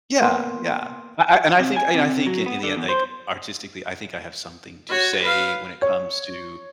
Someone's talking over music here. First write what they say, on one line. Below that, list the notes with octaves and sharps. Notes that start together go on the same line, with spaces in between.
Yeah, yeah. I I and I think And I think in the end, like, artistically, I think I have something to say when it comes to,
A#3 B3 C6
C3
G#5
C3
F#3
B3
D3
E2
C5
F#4 C#5
B4 F5
C#5